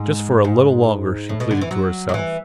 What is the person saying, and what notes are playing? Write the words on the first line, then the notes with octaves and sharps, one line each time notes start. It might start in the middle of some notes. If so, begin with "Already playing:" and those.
Just for a little longer, she pleaded to herself.
Already playing: G#2
G#2
A2
B2
D3
E3
F#3
F#3
E3